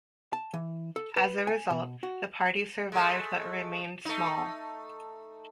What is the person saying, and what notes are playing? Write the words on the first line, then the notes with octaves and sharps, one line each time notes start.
As a result, the party survived but remained small.
A5
E3
A4
B4
G#5
B2
F#4
G#3 A3
A3 D#4